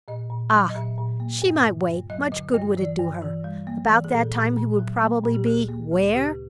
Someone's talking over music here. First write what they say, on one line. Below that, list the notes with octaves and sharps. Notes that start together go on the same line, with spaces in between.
Ah! she might wait--much good would it do her; about that time he would probably be--where?
A#2 D#5
A#2
F#3
D#5
A#2 E5
A#2
A#3
G2
D3
G2
F#3 D#5
D3 D#5
G2 D#5
E3 D5
G2
E3
G3
A#3
E3
G#4
A#2 A4
A#2
A#2
F#3
A#3
A#2
G4
D2 G#4
A#3
D2
C#3 G4